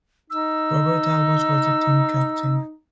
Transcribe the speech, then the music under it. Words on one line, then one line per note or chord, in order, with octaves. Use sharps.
Robert Albus was the team captain.
D#4 E6